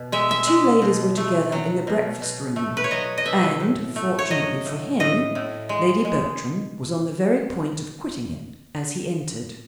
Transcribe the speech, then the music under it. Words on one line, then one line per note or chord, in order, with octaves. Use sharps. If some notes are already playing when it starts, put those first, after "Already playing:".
The two ladies were together in the breakfast-room, and, fortunately for him, Lady Bertram was on the very point of quitting it as he entered.
Already playing: B2
G#3 E5
E5
G#3
B2
A3
F#3
B2
B2
A3
B4
C#5
F#3 D#5
D#5
B2 E5
A2
A3
C#5
F#3 D#5
A2
A2 D#5
A2
G#3
G#3